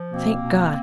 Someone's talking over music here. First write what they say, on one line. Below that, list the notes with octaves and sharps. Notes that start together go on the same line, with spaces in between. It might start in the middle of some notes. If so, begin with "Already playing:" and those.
"Thank God!"
Already playing: F3
B2 A#3 C4
B2